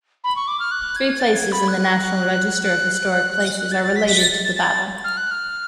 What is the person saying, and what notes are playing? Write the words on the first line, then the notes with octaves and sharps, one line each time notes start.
Three places in the National Register of Historic Places are related to the battle.
B5
C#6
D6
F6
F#6
G#6
A6
G#6
B5
F#6
F#6
F#6
A6
A6
B6
B6
A6
A6
A6
A6
F6
F#6
F6